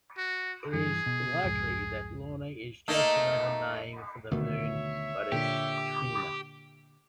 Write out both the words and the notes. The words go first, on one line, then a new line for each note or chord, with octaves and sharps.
It is likely that Lona is just another name for the Moon goddess Hina.
F#4
G2 E3 G#4
B2
C2 F2 G#2
A3 A#3 D#4
D2 B2 D#3 C#5 E5
A#2 D3 G4